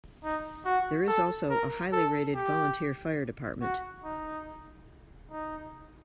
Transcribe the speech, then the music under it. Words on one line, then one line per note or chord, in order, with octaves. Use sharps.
There is also a highly rated volunteer fire department.
D#4
F#4
A4
A#4
A4
G4
F#4
D#4
D#4